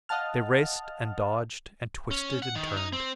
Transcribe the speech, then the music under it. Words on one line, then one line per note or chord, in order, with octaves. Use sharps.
They raced and dodged and twisted and turned.
D#5 F5 F#5 A5 F6
C#4
F#5
D#3
D#4
C4